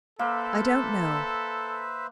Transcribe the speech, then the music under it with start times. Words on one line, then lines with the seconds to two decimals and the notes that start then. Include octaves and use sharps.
I don't know.
0.19 A#3 A4 B4 C5 E5